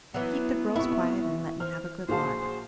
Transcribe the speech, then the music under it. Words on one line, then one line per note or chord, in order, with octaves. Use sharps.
Keep the girls quiet, and let me have a good lark.
E3 F#3 B3
B1 C3 E4 E5 C#6
C5 F6
A#1 F#4 G#4 C5 F5 A5